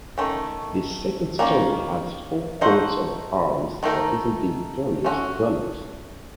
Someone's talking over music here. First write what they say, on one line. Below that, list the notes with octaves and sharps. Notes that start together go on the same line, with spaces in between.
The second story has four coats of arms representing various donors.
D#3 A3 C#4
D#3 A#3 C#4
A3 D#4 F#4 C5 D#5
D#3 A3 D#4 F#4 A#4
A3 C#4 F#4